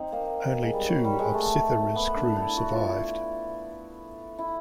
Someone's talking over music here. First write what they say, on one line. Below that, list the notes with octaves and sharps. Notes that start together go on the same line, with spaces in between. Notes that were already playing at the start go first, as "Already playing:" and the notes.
Only two of "Cythera's" crew survived.
Already playing: C4 D#4
A#3
G#3
G3
F#3
G3
G#3
A3
B3
D4
E4
F#4
F4
E4
E4